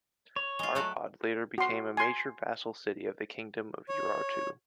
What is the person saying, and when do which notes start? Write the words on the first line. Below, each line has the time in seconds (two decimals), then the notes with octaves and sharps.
Arpad later became a major vassal city of the Kingdom of Urartu.
0.36 C#5
0.59 G#3 F4
0.75 F#3 A3 F#4
1.58 F#4 C6
1.97 G#5 C6
3.89 C#5